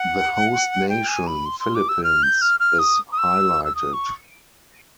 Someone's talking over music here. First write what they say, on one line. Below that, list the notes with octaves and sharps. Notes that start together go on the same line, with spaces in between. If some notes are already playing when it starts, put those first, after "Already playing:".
The host nation, Philippines, is highlighted.
Already playing: F#5
G5
G#5
B5
C6
C6
D6
E6
F6
G6
F6
F6
D#6
D#6
E6
E6
D#6
C#6